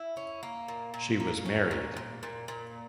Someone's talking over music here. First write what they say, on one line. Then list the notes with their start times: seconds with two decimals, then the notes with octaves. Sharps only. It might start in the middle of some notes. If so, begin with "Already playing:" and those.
She was married.
Already playing: E4
0.17 C#4
0.43 A#3
0.68 A#2
0.94 A#2
1.20 A#3
1.46 C#4
1.71 A#2
1.97 A#2
2.23 A#2
2.48 A#2